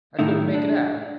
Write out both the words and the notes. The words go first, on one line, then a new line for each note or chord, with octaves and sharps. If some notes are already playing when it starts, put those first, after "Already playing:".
I couldn't make it out.
A2 D#3 A3 D#4 E4
D4